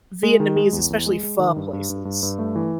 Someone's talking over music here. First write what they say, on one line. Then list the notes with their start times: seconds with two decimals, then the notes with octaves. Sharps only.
Vietnamese, especially pho places.
0.23 G#3
0.40 D#3
0.56 G#3
0.73 E2
0.90 E2
1.06 G#3
1.23 G#3
1.39 D#3
1.56 G2
1.73 G2
1.90 G2
2.05 G2
2.23 G2
2.39 A3
2.56 E3